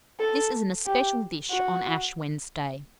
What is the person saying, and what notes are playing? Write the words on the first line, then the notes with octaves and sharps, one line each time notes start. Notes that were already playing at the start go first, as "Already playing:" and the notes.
This is an especial dish on Ash Wednesday.
A4
G4
F#4